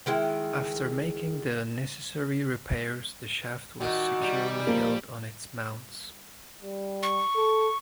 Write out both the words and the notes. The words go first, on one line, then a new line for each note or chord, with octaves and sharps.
After making the necessary repairs the shaft was securely held on its mounts.
D#3 G#3 E4 G5
A#2 D#3 F#4
G3
F3 A#3
G3
C#6
A4